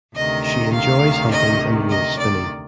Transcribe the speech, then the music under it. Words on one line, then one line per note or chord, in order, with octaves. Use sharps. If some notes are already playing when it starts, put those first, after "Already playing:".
She enjoys hunting and wool spinning.
D2 C3 D#3 D#5
D#5
F5
D#5
D#5
D5